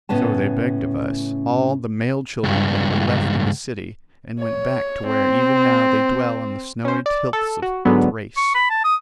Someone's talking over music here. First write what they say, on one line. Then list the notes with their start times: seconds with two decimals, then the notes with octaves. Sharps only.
So they begged of us all the male children that were left in the city and went back to where even now they dwell on the snowy tilths of Thrace.
0.09 A2 C#3 B3 C#4 A5
2.44 C#2 G2
4.40 C#5
5.07 C4
6.85 C#4 C5
7.06 D5
7.33 A4
7.62 F#4
7.85 G#2 D3 F#3 B3
8.37 C#6
8.55 B5
8.71 A5
8.85 D#6